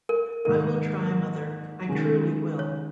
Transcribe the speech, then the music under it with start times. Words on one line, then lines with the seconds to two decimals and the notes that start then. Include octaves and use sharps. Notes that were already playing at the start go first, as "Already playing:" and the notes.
I will try, mother; I truly will.
0.09 A#4
0.45 G#2 D#3 A#3 D#4 A#4
1.89 D#3 G#3 C#4
2.59 C#5